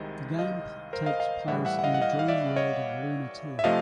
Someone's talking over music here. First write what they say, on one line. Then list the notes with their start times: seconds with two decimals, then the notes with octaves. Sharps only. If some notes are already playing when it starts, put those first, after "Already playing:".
The game takes place in the dream world of Lunatea.
Already playing: C2 C3 D#3 G#3 D#5
0.39 D#5 F5
0.93 A#4 C5
1.06 D#5 F5
1.20 D#5 F5
1.48 A2 E3 G3 E5 F#5
1.65 E5 F#5
1.79 F#5
1.84 D#5 F5
1.94 F#5
2.01 D#5 F5
2.19 F5
2.28 D5 E5
2.56 C#5 D#5
3.59 E5
3.64 C3 F3 A3 D#5 F5